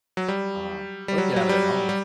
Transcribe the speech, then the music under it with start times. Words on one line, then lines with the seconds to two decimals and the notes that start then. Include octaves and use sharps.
Uh, or you could have it at home.
0.17 F#3
0.28 G3
1.08 G3
1.18 F#3
1.36 F#3
1.49 G3
1.89 G3